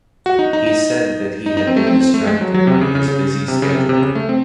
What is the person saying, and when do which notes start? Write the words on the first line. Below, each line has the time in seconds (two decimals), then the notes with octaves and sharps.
He said that he had been distracted by his busy schedule.
0.26 F#4
0.39 D#4
0.53 D#4
0.66 D#4
1.46 D#4
1.57 D#4
1.67 C4
1.77 A3
1.87 C4
2.01 C4
2.14 A3
2.27 G#3
2.41 F#3
2.54 F#3
2.67 C3
2.81 C#3
2.95 C#3
3.08 C#3
3.48 C3
3.62 C#3
3.75 C3
3.89 C3
4.02 C#3
4.15 A3
4.29 C4